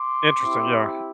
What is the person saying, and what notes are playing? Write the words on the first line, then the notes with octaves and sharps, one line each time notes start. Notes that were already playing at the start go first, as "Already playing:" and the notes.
Interesting, yeah.
Already playing: C6 D6
C4 E4 G4